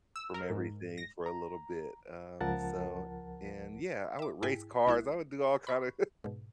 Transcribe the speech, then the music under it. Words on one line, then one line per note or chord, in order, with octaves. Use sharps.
from everything for a little bit, um, so and, yeah, I would race cars. I would do all kind of
E6
A#4
G#2
A#6
A#5
C#2 F3 A#4 F#5 A5 A6
E5 D6
G#2 E4 G#4 G5 G#5 B6
B1 G#3 E4 E5 F#6
B5 C#6
G#2 B2